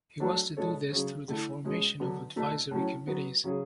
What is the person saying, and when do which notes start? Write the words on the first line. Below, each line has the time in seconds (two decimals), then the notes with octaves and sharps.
He was to do this through the formation of advisory committees.
0.20 F#3 A3 D4 F#4 C#5
0.57 B2 G#3 D4 A4 C#5
0.92 C#3 F#3 C#4 G#4 C#5
1.28 D3 A3 E4
1.64 B2 G#3 C#4
2.00 D3 F#3 B3
2.36 B2 A3 D4
2.71 A2 F#3 C#4
3.07 F#3 B3 F#4
3.44 C#3 F#3 C#4 G#4